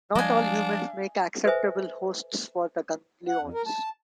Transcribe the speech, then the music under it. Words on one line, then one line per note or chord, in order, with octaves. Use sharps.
Not all humans make acceptable hosts for the Ganglions.
F3 G3 G#3 D4 D#5 F5 G#5
A4 B4 C5 E5 G#5
F#5
F2
A#4
A5